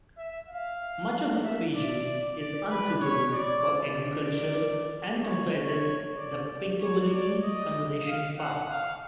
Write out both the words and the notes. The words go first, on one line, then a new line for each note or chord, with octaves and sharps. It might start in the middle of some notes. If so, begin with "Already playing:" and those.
Much of this region is unsuitable for agriculture and comprises the Pinkawillinie Conservation Park.
E5
F5
E5
D5
D5
B4
C#5
D5
D5
C#5
C#5
D5
D5
C#5
D5
D#5
F5
F#5
F5